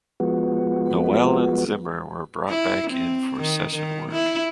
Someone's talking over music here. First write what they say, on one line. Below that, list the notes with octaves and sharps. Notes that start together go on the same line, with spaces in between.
Noelle and Zimmer were brought back in for session work.
F3 G#3 B3 F#4
E4
C4
D#3
D#3
E4